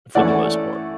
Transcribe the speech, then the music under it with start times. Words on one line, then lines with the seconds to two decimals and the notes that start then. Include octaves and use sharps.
for the most part.
0.15 E3 A3 C#4 D5 F#5